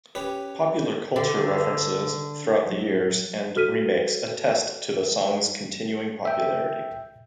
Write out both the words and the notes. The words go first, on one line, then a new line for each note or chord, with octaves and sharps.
Popular culture references, throughout the years and remakes attest to the song's continuing popularity.
C#4 G4 B4 C#5
D3
F#3
F#4 A4 F6 B6 D#7
E5 G5